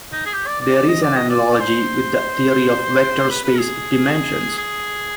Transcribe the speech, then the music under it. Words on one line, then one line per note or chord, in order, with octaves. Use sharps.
There is an analogy with the theory of vector space dimensions.
D#4
G#4
G4
D5
D5
D5
D#5
D5
D#5
D5
D5
C5
B4
B4
G#4
G#4